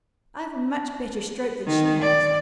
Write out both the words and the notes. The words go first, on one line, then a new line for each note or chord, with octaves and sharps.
I've a much better stroke than she has.
D#3
D5